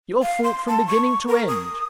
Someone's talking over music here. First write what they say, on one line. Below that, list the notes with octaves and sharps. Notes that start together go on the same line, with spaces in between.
'Your fault from beginning to end.'
F5
C6
A5
C#6
A#4
D#6